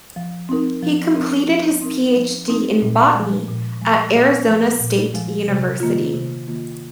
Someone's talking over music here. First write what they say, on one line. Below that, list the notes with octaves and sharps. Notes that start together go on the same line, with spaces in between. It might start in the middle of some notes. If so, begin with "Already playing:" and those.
He completed his Ph.D. in Botany at Arizona State University.
F3
C4 D#4 A#4
F3
C4 D#4 A#4
F3
C4 D#4 A#4
F3
C4 D#4 A#4
A#2
F3 G#3
A#2
F3 G#3
A#2
F3 G#3
A#2
F3 G#3
C3
D#3 A#3 F4
C3
D#3 A#3 F4